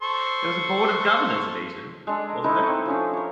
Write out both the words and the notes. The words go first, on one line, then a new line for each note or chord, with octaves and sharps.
There was a board of governors at Eton, wasn't there?
A4 C5 C#6
G#3 D4 A4
A#5
D#4 E4 A4 B4
C4 C#6
F3 C#4 D4
A#4 C#5